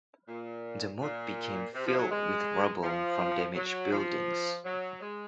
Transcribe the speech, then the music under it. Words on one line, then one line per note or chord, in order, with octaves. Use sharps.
The moat became filled with rubble from damaged buildings.
A#2
A#2
C3
F3
F#3
G#3
F3
F#3
F3
F#3
G#3